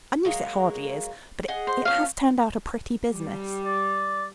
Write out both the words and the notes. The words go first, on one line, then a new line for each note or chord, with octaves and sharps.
A noose it hardly is, but it has turned out a pretty business.
F#3 G#3 A#3
G#4 D#5 F#5
C5
F3 B3 C#4 F5
G3
D5